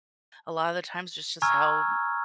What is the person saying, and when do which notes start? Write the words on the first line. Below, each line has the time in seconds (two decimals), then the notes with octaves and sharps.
a lot of the times, that's just how,
1.42 G#5 A#5 C#6 E6 F6 G#6